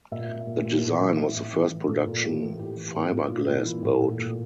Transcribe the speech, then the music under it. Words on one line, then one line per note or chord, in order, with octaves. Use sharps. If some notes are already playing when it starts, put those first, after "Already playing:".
The design was the first production fiberglass boat.
A#2 E5
A#2
A#2
A#2
A2
E3
E3 E5
A2
E3
E3
A#2 A4
A#2
A2 G4
E3 A4
A2 G4
E3
A2
A2
A#2 F4
A#2
F4
E3 E4
A2
A#2 A4
A#2